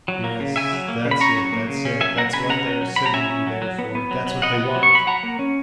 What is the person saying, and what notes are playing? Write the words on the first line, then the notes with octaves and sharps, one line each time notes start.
Yes, that's it, that's it, that's what they are sending me there for, that's what they want.
F#3
A#3
C#3
C#3 E5 G#5
F#3
A#3
C#3
B5
C#4 A#5 C#6
F#3
A#3
C#3
C#4
F#3 E5 G#5
A#3 F#5 A#5
C#3 G#5 B5
C#4 F#5 A#5
C#4
F#3
F#3 B5
A#5
C#4 E5 G#5
C#4
F#3
F#3
B3
B3
F#3
F#3
B3 D#5 F#5
B3
F#3
C#6
F#3 B5
F#3 F#5 A#5
A#3
C#4